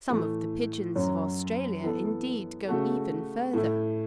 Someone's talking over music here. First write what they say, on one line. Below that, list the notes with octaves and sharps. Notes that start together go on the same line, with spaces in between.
Some of the pigeons of Australia, indeed, go even further.
A2 E3 A3
F#2 F#3 C#4
E3 B3 A4
C#3 A3 F#4 A4
A2 A3 E4